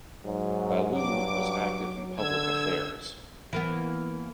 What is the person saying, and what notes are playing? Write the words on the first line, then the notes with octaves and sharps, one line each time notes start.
Ballou was active in public affairs.
G#2 F#3
G2 D6
D3 E6 G#6
E3 A#3 B3